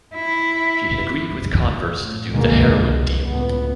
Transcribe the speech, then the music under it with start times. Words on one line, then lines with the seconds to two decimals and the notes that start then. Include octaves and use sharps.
She had agreed with Converse to do the heroin deal.
0.14 E4
2.02 A2
2.31 D2 B2 D3 D#3 G#3 A#3
2.73 C2
3.26 C#2 A2 B3